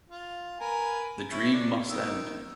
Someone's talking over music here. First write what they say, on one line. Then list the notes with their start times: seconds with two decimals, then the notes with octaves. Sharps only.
The dream must end.
0.10 F4
0.60 A#4 B4 G#5
1.32 E4 C#5
1.53 D4
1.90 D#3 E6